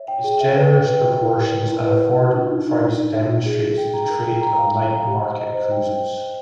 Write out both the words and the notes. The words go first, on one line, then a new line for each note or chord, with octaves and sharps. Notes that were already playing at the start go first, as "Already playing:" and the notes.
Its generous proportions and affordable price demonstrates the trait of night market cuisines.
Already playing: C#5 E5
G5
G#4
E5
B4
G5
B4
G5
E4
G4
A#4
E4
B4
B4
F#4
D4
D#4
D#4
D#4
D#4
E5
E5
G#4
G#4
G5
A#5
A#4
G5
A#5
F5
F5
A#5
G4
C5
D#5
C5
G5